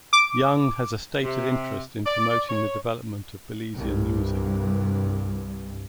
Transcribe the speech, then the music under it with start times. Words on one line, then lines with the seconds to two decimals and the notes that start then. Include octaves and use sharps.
Young has a stated interest in promoting the development of Belizean music.
0.13 D6
1.24 C3
2.06 D5
2.50 C#5
3.74 C2 G2